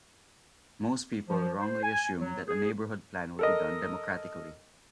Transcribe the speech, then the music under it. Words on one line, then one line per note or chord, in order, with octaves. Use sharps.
Most people wrongly assume that a neighborhood plan will be done democratically.
F3
C5
G#5
F#3
G#4
A4 A#4 D#5